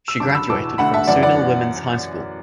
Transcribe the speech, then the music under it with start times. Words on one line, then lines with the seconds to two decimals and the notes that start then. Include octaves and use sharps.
She graduated from Sunil Women’s High School.
0.08 E6
0.20 F#2 D3 A5 D6
0.35 B5 E6
0.50 E2 B2 A5 D6
0.78 D2 D3 F#5 B5
0.94 E5 A5
1.07 F#2 E3 D5 F#5
1.23 D5 F#5